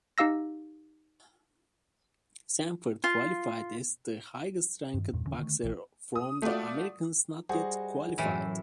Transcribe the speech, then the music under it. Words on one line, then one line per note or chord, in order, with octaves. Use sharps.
Sanford qualified as the highest ranked boxer from the Americas not yet qualified.
D#4 G4 F5 E6 A#6
F4
G2 D#3
E2 G2 A#2
E1 D3 E3 C#4
D3 D#3 A3
A#1 E3
D#6
A3 F4 F#4 D5
G3 F#4 G#4 C5 D#5
F#2 A2 E3